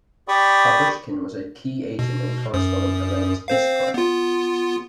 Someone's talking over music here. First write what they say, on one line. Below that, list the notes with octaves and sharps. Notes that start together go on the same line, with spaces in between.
Babushkin was a key agent and correspondent for Lenin's "Iskra".
G4 D5 G5 B5 C#6 D#6
B2
F#2 D#6
C4 C5 F5
B3 F4